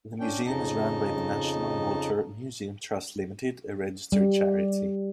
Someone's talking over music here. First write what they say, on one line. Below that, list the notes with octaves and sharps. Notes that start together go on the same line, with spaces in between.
The museum is run by the National Motor Museum Trust Limited, a registered charity.
C#4 D4 G5
F2 C#3 D#4 D#5 A5
G3